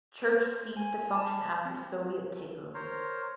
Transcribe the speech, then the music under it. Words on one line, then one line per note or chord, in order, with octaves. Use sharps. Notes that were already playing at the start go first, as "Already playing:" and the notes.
Church ceased to function after Soviet takeover.
C5
G#5
A5
C4
A#4 C5 C#5